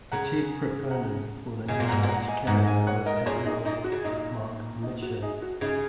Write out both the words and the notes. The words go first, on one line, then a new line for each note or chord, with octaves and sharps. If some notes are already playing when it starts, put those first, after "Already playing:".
The chief proponent for the new large carrier was Admiral Marc Mitscher.
C#3 F#5 A#5
F#5 A#5
C#3 D#5 G#5
A#2
F#5 A#5
G#2
A#2
F#5 A#5
D#5 G#5
G#2 F#5 A#5
D#5 G#5
C#5 F#5
A#4 D#5
A#4
A#2 G#4 C#5
D#4 G#4
A#2 D#4
F#4
C#3
A#2 D#4
D#4
F#4
D#4 G#4
F#4
C#3 D#4